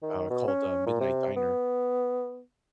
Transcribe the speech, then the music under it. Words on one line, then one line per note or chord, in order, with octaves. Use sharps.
uh, called, uh, Midnight Diner,
D#3
B2
C#4
A#2
C3
B3